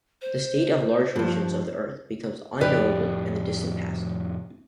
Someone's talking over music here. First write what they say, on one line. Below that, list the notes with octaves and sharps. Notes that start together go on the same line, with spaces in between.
The state of large regions of the Earth becomes unknowable in the distant past.
C5
G2 F3
F2 A2 G4 B4 D5